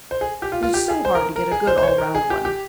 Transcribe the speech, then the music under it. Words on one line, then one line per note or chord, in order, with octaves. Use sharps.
It is so hard to get a good all-round one.
C5
G#4
G4
F4
F4
G4
G#4
C5
A#4
A#4
G#4
C5
C5
C#5
C5
A#4
G#4
G4
G4